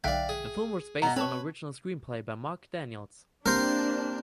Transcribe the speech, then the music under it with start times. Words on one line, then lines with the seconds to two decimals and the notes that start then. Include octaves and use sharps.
The film was based on an original screenplay by Mark Daniels.
0.04 B1 D3 D5 E5 F5 G5 F#6
0.29 G#4
1.02 B2 B3 D#5 A#5
1.16 C4 B4 C#5 A5 C#6
3.46 A#3 C4 D4 G4 A#4 C5